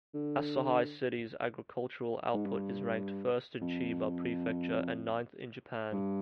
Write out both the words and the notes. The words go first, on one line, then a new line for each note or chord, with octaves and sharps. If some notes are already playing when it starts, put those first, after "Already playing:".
Asahi City's agricultural output is ranked first in Chiba Prefecture and ninth in Japan.
D3
G#2
G2
F2
G2